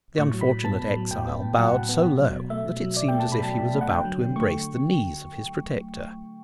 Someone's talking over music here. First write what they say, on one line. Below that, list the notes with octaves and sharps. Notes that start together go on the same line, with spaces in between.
The unfortunate exile bowed so low that it seemed as if he was about to embrace the knees of his protector.
A2 C#6
F#3
B5
A2
B3 A5
A2
F#3
A2 G5
B3
A2
F#3 F#5
A2
B3
B2
F#3
B2
A3 E5
B2
F#3
B2 D5
G5
A3
A5
B2 B5
F#3 A5
B2
A3
F#5
D3 G5
F#3
D3
A3 C#6
D3